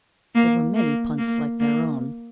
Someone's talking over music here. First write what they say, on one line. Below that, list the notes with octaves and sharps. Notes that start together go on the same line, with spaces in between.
There were many punts like their own.
A#3
A#3
A#3
A#3